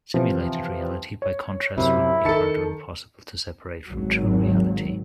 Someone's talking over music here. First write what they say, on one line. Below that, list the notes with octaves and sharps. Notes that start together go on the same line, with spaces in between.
Simulated reality, by contrast, would be hard or impossible to separate from "true" reality.
C3 E3 F3
C#5
F#2 C3 E4
D#3 A4 A5 C#7
G#1 F#3